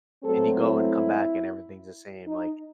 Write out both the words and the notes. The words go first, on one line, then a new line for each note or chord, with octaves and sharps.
and you go and come back and everything's the same, like
B2 F#3 A3 C4 A4
E4
D#4